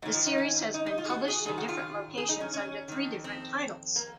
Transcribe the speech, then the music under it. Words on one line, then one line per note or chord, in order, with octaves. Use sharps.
The series has been published in different locations under three different titles.
G#2 D#3 F#3
F3
D#4
C#4
D#4
D#4
F4
G#4
F#4
G#4
F#2 D#3 G#4
F#4
F4
G#4
D#4
C#4
C#4
F2 D#3
C4
A#3